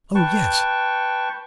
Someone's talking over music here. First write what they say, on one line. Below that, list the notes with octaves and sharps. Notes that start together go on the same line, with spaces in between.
"Oh, yes."
B4 G5 A5 C#6